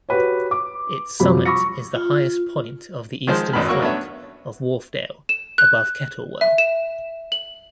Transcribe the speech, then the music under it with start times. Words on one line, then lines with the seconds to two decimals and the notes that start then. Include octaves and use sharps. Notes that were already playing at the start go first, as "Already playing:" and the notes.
Its summit is the highest point of the eastern flank of Wharfedale above Kettlewell.
0.09 F#4 G4 B4 C#5
0.51 D6
1.20 F#2 C3 F3 G3 B5
1.45 B5 C#6 D6 E6 A#6 C#7
1.95 F4
3.27 D#3 F3 G#3 C5
3.53 G#1 F#2 D#3 B3 B5 F6
3.68 F#3 A#3 F#4 C#6 E6
3.82 A3 B3 C#4 D4 C#5 E5
5.29 E7
5.58 F#6
6.41 E5
6.58 E7
7.32 F#7